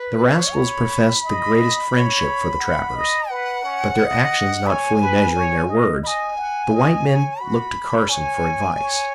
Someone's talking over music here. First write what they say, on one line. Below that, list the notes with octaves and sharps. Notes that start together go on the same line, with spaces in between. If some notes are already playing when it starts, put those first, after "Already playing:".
The rascals professed the greatest friendship for the trappers, but their actions not fully measuring their words, the white men looked to Carson for advice.
Already playing: B4
C#5
B5
D#5
C#5
F#5
D#5
B4 F#5
C#4
D#5
C#5 G#5 B5
B4
C#5
D#5
D#5 G#5 B5
F#5
D#5
C#5
F#4 B5
C#5 G#5
C#5